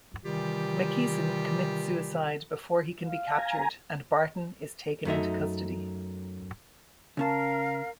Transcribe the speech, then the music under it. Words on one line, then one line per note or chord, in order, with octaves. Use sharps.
McKeeson commits suicide before he can be captured and Barton is taken into custody.
C3 D#3 E3 G3 F4 G4
F5
G#5 A#5
F#2 A3 D#4 E5
C#3 C#4 A#4 F5 A5